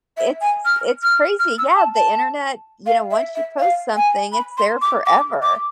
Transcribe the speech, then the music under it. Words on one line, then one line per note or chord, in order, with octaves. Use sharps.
it's it's crazy, yeah. The internet you know, once you post something, it's there forever.
E5
G#5
F6
F6
F6
E6
A5
A5
F5
E5
E5
F5
G#5
B5
C6
D6
D6
D6